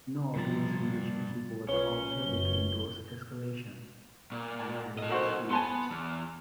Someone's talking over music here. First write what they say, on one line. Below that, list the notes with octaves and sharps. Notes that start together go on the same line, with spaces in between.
No obvious relationship was observed between dose escalation and adverse events.
G2 C3 F3 A#5 A6
B1 C#4 F4 B4 C#5 G7
F#1 F#2
A#2
A4 D#5
D#3 F#4 C5
B3 G#5 A5 C6
E2